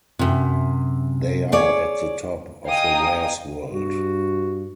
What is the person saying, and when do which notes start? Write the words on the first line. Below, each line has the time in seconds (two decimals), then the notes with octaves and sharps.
They are at the top of the warez world.
0.19 F#2 C3
1.52 G#4 C#5 D5
2.67 D#5 F5 G5 G#5 A#5 D#6
3.72 G2 F#4